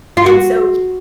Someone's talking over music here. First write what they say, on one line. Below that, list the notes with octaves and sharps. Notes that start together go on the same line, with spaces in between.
and so
F4
F#4